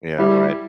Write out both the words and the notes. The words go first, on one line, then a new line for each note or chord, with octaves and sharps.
Yeah, right.
G3 E4